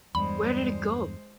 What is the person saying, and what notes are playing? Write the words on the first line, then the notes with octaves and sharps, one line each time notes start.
Where did it go?
E2 G2 G3 G#3 C5 B5